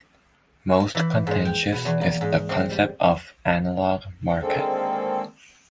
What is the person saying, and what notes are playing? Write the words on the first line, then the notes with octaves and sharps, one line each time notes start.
Most contentious is the concept of "analogue market".
E3
G#2
G5
B2
E2
A#3
G#2
C4
G3
D3 D#3 G#3 A#3 C4 A4